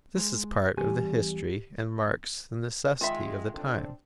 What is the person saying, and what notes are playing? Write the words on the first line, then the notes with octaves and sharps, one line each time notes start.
This is part of the history and marks the necessity of the times.
G#3
E2 G3 G4 G#5
D#3 G#3 F4 E5 B5
C4 D4 A4